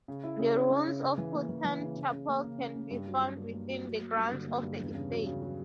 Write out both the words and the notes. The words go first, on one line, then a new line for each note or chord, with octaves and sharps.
The ruins of Haughton Chapel can be found within the grounds of the estate.
C#3
E4
C#3
C#4
C#4
C#3
C#3
E3
A#3
E3
E3
C#3
C#3
C#3
A#3
C#3
C#3
C#3
G2
F#3
F#3
G2
A#3
F#3
F#3
A#3
G2
D3
A#3
G2
E2
C#3
F#3
C#3
F#3